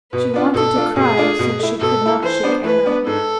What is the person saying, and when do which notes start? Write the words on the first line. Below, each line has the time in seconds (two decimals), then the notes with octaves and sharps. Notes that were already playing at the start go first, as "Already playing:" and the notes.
She wanted to cry, since she could not shake Anna.
0.12 B2 B4
0.34 B3 D4 F4
0.54 B2 A4
0.76 A3 D4 F4
0.96 B2 G#4
1.17 A3 D4 F4
1.39 B2
1.59 A3 E4
1.80 B2 A4
2.02 A3 E4
2.23 E3 C5
2.43 B3 D4
2.64 E3 B4
2.86 B3 D4
3.06 G#2 A4